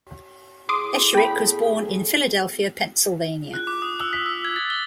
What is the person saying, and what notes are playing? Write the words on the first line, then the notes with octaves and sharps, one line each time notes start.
Esherick was born in Philadelphia, Pennsylvania.
A2 G#4 C6 D6 D#6
B3 A4 G5 B5
F#6
D6
D#6
E6
B6
E6
G#6
A6
G7